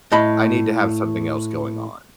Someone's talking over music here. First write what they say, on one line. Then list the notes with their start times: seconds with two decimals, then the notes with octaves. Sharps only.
I need to have something else going on,
0.12 A2 D#5 B5